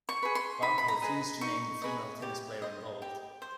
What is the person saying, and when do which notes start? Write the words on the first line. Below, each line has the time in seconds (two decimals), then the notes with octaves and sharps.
Barker refused to name the female tennis player involved.
0.09 C#6
0.23 G#4 B4
0.35 C6
0.62 D#4 B5
0.78 B5
0.88 A#5
1.02 G#4 B4 D#5
1.41 D#4 C#6
1.82 G#4 B4 D#5
2.22 G4
2.62 C5 D#5
3.02 G4
3.42 C5